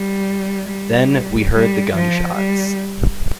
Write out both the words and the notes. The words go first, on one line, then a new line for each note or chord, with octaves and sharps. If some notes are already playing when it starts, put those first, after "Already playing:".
Then we heard the gunshots.
Already playing: G3
G3
G3
F3
G3